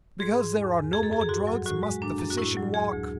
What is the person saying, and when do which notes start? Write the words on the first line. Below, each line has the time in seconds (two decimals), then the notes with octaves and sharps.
"Because there are no more drugs must the physician walk?"
0.20 G#2 G#4
0.39 G#2
0.57 E2
0.75 E2
0.93 F#2 G#4
1.03 A4
1.11 F#2 G#4
1.21 G#4
1.29 G#2 F#4
1.47 F#3
1.66 A2 F#4
1.83 G#3
2.02 F#2 D4
2.19 F#2
2.30 F#4
2.38 A2 E4
2.57 F#3
2.74 D2 G#4
2.93 D2